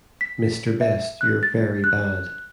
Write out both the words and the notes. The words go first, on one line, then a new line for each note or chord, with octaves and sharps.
Mr. Best You're Very Bad.
B6
E5
F#6
A6
F#6